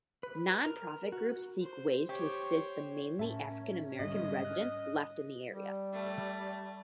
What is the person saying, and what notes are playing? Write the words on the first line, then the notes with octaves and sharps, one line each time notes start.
Non-profit groups seek ways to assist the mainly African-American residents left in the area.
B4
A#4
F#4
C5
G4 C5 C#5
A2 C#4 A#4 E5 A5
G#2 D3 G3 D#5
F6 F#6
G3
A3